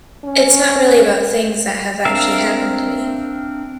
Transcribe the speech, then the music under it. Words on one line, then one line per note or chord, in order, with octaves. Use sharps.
It's not really about things that have actually happened to me.
C#4
C4 D4 A#4 E5 F5